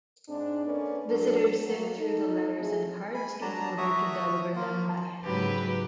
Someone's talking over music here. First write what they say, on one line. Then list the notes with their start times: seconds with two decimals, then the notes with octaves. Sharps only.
Visitors sift through the letters and cards in order to deliver them by hand.
0.28 G#2 G#3 C4 D4
0.65 A#3 C#4 D4 A4 B4 D5
1.08 F#3 D4 A4
1.64 F#3 A3 A#3
1.98 D#4 A4
2.58 F2 A3 C4 E4 G#4
3.14 G#5 B5
3.41 F#3 D4 A5 A#5
3.78 F#4 C#5 E5 D#6
4.56 A#3 F4
5.25 G#2 C#3 F#3 G4 B4